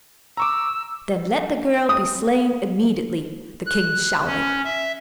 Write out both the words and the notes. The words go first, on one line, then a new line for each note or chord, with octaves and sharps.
"Then let the girl be slain immediately," the king shouted.
A#5 C#6 D6 E6
D#6
F#6
C#4
E5